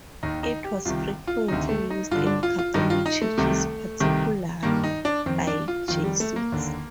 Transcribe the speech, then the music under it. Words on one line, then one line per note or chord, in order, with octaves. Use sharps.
It was frequently used in Catholic churches, particularly by Jesuits.
D#2 D#3 D#4
D#4
G4
C2 C3 D#3 F4
F4
D2 C3 D#3 D#4
A3
D#4
G2 D3 F4
D4
F4
F4
G2 D#3 D#4
F4
D#4
A3
C2 C3 D#3
C2 C3 D#3
G2 D#3 A#3
D#4
D4
F2 D#3 C4
D4
F4
F2 D#3 F4
G3
A3
A#3
D#2 D3